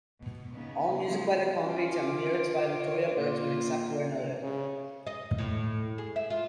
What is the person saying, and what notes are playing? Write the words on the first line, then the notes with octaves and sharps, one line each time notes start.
All music by The Concretes and lyrics by Victoria Bergsman, except where noted.
B2
C#3 B3 C#4 D#4
C#3 F3 G3 A3 B3
C#4 F4 D6
C#5
A#2 A#3 F4
C#3
D#5
A2
G#4
E5
F4